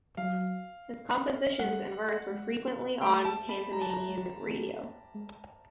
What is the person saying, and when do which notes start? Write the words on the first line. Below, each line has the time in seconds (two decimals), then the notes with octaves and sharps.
His compositions and verse were frequently on Tanzanian radio.
0.17 F#3 F5
1.59 G3 F#5
2.31 G#3
3.01 A3 G5
3.25 A5
3.49 B5
3.73 G#3 A#5
3.81 A5
3.90 A#5
4.08 G#3
4.43 A3
5.14 G#3